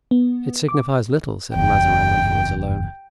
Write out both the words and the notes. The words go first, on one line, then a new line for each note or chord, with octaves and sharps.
"It signifies little," said Mazarin, when he was alone.
B3
D6
F#1 E2 G5